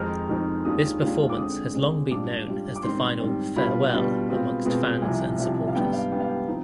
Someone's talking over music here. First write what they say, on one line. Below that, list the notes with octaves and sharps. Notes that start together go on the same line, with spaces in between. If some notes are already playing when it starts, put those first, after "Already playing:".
This performance has long been known as the final "Farewell" amongst fans and supporters.
Already playing: F2 D#3 G#3 C4 D#4 F6
F2 D#3 G#3 C4 D#4
D#2 D#3 G#3 D4 F4 D#6
D#2 D#3 G#3 D4 F4
D6
D3 G#3 C4 D#6
D3 G#3 C4
G#2 G3 D4 F4 D6
G#2 G3 D4 F4
D6
G#2 D#3 G3 C4 C6
G#2 D#3 G3 C4
B2 G3 D4 F4 B5
B2 G3 D4 F4
B2 G#3 C4 F4
B2 G#3 C4 F4
C2 C3 F3 G#5
C2 C3 F3
F5
G#2 G3 B3 D4 G5
F5
G#2 G3 B3 D4 G5
F5
G5
F3 C4 D#4